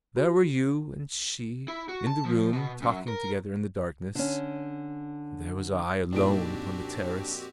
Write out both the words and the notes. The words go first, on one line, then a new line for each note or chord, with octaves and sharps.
There were you and she in the room talking together in the darkness; there was I alone upon the terrace.
F#4
E4
F#4
A5
F3
B2
F#2
A#4
D3 C#4
F2 A#2 C4 D4 D#4 F#4 G4 D7